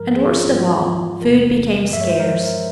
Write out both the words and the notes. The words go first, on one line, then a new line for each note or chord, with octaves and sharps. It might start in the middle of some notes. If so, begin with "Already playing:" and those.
And, worst of all, food became scarce.
Already playing: G#2 F3 G#3 A#4
G#4
F4
F4
G#2 F3 G#3 F4
E2 C3 E3 A#4
G2 F3 G#3 E5
C#5
C5
A#4